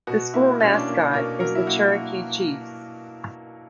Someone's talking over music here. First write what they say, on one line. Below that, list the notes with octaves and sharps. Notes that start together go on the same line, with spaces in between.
The school mascot is the Cherokee Chiefs.
B2 F#4
A#3 E4
B2 C#4
D4
A#3
B2 A#4
F#3 A#4
E4
A#3 F#4